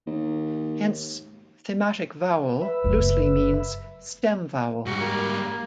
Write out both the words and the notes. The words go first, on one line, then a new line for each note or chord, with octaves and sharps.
Hence, "thematic vowel" loosely means "stem vowel".
D#2
B4 E5
F#1 F#2
G#2 G3 F#4
A#3